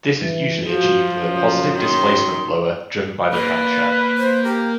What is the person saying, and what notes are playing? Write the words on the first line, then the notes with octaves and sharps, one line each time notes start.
This is usually achieved with a positive displacement blower driven by the crankshaft.
E3
F3 F#4
F#2
D#3 C6
A#3 B4 D5
C5
G4 A#4